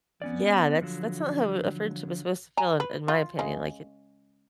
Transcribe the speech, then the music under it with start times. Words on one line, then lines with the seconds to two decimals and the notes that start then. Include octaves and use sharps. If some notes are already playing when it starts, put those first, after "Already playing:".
Yeah, that's that's not how a friendship is supposed to feel in in my opinion, like, at
0.22 B3 C#4 D5
0.81 D3 F3 F#3
2.57 G#5 A#5
2.80 B4
3.08 F4
3.39 C#3 G#3